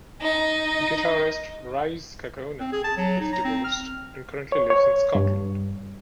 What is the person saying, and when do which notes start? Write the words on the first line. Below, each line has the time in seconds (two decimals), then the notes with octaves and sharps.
Guitarist Rise Kagona is divorced and currently lives in Scotland.
0.21 D#4
2.60 C4
2.72 G#4
2.84 A5
2.97 F#3
3.20 D#4
3.33 A#5
3.45 C4
3.64 F6
4.52 C#5
4.70 C#5
5.15 G2